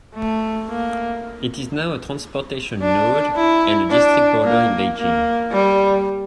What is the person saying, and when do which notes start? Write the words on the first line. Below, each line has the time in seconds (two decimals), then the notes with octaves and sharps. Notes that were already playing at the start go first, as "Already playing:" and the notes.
It is now a transportation node and a district border in Beijing.
0.14 A3
0.69 A#3
2.82 D4
3.36 E4
3.90 D4
4.44 A#3
4.97 A#3
5.51 G3